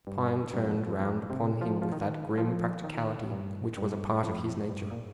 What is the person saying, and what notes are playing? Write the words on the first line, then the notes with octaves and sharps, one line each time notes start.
Pine turned round upon him with that grim practicality which was a part of his nature.
G2
G2
F2
F2
F2
C3
F3
F3
D#3
F3
D#3
G2
G2
F2
G2
A#2